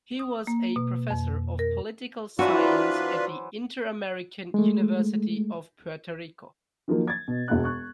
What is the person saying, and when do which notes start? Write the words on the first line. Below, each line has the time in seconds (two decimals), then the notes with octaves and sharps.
He was a Professor of Political Science at the Interamerican University of Puerto Rico.
0.19 D#6
0.47 A#3
0.76 B2
1.10 F2
1.59 A#4
2.39 E3 F#3 D4 F4 F#4 B4 C5
4.54 G#3 A3
6.88 D#3 F3 F#3 A#3
7.07 G#6 A6
7.28 B2
7.48 E1 F#4 F#6
7.64 C#6 F#6